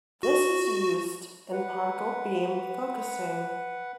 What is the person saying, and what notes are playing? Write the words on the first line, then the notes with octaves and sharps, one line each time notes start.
This is used in particle beam focusing.
F#4
B4 F#5